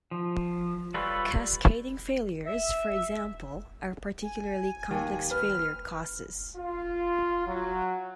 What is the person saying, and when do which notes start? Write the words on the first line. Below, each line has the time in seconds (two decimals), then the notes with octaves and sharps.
Cascading failures, for example, are particularly complex failure causes.
0.11 F3
0.94 G3 F4 A4 B4 C#5
2.45 E5
4.23 G#5
4.91 D#2
5.31 B4 F6
6.56 F4
7.46 F#3